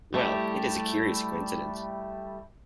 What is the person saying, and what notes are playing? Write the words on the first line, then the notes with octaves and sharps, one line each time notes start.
Well, it is a curious coincidence.
G3 A3 E4 G4